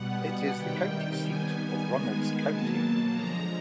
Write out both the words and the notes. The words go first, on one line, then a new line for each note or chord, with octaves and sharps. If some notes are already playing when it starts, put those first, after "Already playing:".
It is the county seat of Runnels County.
Already playing: B2 G3 B3 F#5
C3 D#3 G3 G5
D#3 G3 B3 G#5
D#3 G#3 B3 G#5
B2 F#3 A#3 A5
D3 F3 G#3 A#5